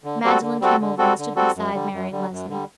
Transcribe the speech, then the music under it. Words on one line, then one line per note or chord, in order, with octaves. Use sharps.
Magdalen came over and stood beside Marian Lesley.
D3
G3 C4 F#4 A4
D3
G3 C4 F#4 A4
D3
G3 C4 F#4 A4
D3
G3 C4 F#4 A4
F#2
D3 G3
F#2
D3 G3
F#2
D3 G3